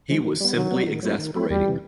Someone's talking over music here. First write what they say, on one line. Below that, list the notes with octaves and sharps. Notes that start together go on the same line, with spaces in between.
He was simply exasperating.
F3 G#3
D#3
G3 B3
D#3 F#3
G3 B3
D#3
F#3 A3 C4 E4
D#3
F#3 A3 C4 E4
E2 G3
C3 E3